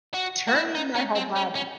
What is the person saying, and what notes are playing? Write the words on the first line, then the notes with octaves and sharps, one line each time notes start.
turning my whole body?
F#4
F#4
E4
D#4
C#4
C4
C#4
C#4